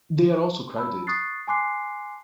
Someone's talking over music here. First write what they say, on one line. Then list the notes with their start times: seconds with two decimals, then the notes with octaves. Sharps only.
They are also crowded.
0.76 A5 B5 E6
1.07 C#6 D#6 F#6 A6 C7
1.47 G#5 A5 C6 D6 F#6 C7